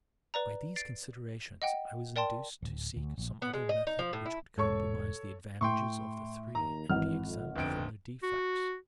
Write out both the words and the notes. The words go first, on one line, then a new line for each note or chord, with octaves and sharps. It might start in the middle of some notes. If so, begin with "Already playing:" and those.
By these considerations I was induced to seek some other method which would comprise the advantages of the three and be exempt from their defects.
B4 D5 A#5
A6 C7 D7
D#5 F#5 G5
A#4 D5 G5 A5 C6
D1
D2
A#1
B3
G#3
D#5
D#4
F3
A2
E4
E1 G#2 A4 C#5 C#6
A2 G5 C6 C#6
D#2 A#5
G#1 E3 F#5 F6
F2
G1 F2 D3 D7
F#4